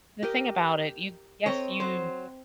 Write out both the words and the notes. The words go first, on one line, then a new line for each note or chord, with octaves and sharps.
the thing about it, you yes, you
G4 A#4 D#5
C4 C#5 D#5 A#5
F#3 C5